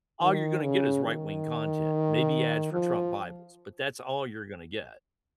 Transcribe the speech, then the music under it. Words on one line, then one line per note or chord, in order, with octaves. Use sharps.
all you're gonna get is right-wing content, maybe ads for Trump Bibles, but that's all you're gonna get.
D#3
C#3
D#3
F3